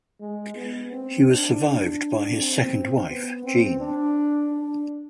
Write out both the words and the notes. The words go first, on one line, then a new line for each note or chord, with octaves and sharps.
He was survived by his second wife, Jean.
G#3
B3
C4
D4
D4
C4
B3
C4
D4
D4